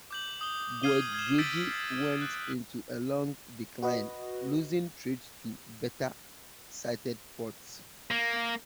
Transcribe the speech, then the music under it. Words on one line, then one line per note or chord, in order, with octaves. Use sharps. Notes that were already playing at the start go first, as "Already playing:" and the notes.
Goederede went into a long decline, losing trade to better-sited ports.
D6 G6 F#7
D#6 G7
D#6 F6 G#6 C7 D#7 G7
G#6 E7
E6 G6 A6 B6 D7
F#6
F#4 B4 D#5
A#3